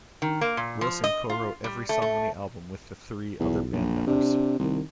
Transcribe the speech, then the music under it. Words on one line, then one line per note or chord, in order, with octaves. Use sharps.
Wilson co-wrote every song on the album with the three other band members.
D#3
A#3
A#2
F3
D#5
F4
G3
A3
A3
B1 E2
A#1
C3 D4
C2 D#3